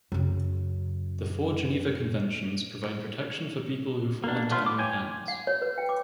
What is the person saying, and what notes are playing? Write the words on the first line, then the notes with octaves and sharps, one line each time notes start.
The four Geneva Conventions provide protection for people who fall into enemy hands.
F#2 C#3
A#3 D4
A3 B3 F4
D6
C#5 G5 G#5
F#5
C#5
B4
G5
D6